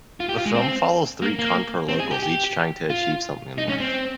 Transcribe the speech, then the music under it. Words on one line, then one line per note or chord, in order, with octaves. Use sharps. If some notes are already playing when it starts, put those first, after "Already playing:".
The film follows three Kanpur locals each trying to achieve something in life.
F4
G4
F4
G#3
C4
A#3
A#3
C4
G#4
G4
G4
F4
D#4
C#4
C4